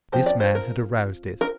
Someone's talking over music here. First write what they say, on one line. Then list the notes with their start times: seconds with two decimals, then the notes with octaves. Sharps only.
This man had aroused it.
0.12 F3 C4 C5
0.26 D5
0.40 C5
0.55 A#4
1.41 A#4